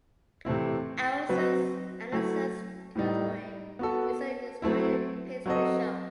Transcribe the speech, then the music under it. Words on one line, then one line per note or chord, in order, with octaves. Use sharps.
Elsa Andersons Konditori is a historic pastry shop.
C3 E3 A3 C4 E4
F#3 C4 F#4 B4
F#3 A3 E4
A2 G3 D#4
B3 F#4 A4
F#3 A3 C4 E4
F#3 C4 F#4 A4 D#5